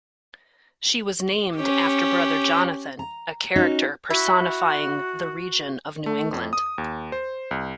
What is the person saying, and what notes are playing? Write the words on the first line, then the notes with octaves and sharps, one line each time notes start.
She was named after Brother Jonathan, a character personifying the region of New England.
C#4 G4
A#5
A#3 C#4 D#4 F#4
E4 F#4
A3
F2
D#6
D#2
C5
C2